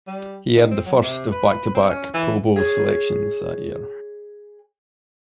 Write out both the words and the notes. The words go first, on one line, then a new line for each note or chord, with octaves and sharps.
He earned the first of back-to-back Pro Bowl selections that year.
G3
D#3
C4
F#3
C3
B4
C4
C#4
E3
G#4 C#5